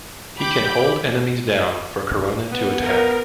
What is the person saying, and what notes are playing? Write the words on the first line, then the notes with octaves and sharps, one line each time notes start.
He can hold enemies down for Corona to attack.
G4 B5 D6 G6
B3
A#4